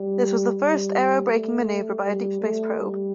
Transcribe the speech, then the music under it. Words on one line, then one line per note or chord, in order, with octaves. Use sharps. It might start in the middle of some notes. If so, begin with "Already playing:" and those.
This was the first aerobraking maneuver by a deep space probe.
Already playing: G3
G3
A3
G3
A3
G3